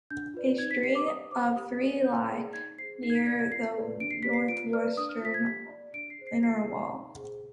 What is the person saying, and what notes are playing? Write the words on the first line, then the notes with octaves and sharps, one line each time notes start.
A string of three lie near the northwestern inner wall.
D4 G6
F4 B4 D5
D#4 G#6
B6
G4 B4 D5 C7
D6
G4 D#6
C5 D6
G4 D#6
D5
D4 G6
G#4 D5
D#4 G#6
G#4 C5 C7
D#4 C7
G#6
B6
B4 D5 G#6
G#6
F4 C7
B4 D5
D4 D7
C7
G4 B4 D5 B6
C7
F4 D7
B4 D5 F6
D4 D#6
F6
F4 C5 B6
G#6
G4 B6
D5
D4 D7
C7
G#4 C5
C7
F4 C7
B4 D5
D#4
G#4 C5